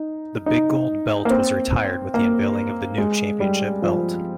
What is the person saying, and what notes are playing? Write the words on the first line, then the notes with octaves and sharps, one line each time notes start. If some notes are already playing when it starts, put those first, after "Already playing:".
The Big Gold Belt was retired with the unveiling of the new championship belt.
Already playing: D#4
D#4
A#3
C4
A#3
G#3
G3
F3